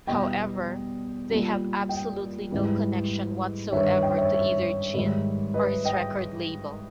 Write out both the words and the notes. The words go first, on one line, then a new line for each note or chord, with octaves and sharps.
However, they have absolutely no connection whatsoever to either Ginn or his record label.
E2 B2 G3 D#5 G5
A#2 G3
D#5 G5
G#2 E3 G3
G2 D#3 G3 C#5 E5
D#5 G5
C#5 E5
C#5 E5
G#2 D#3 G3
B4 D#5
D#5 G5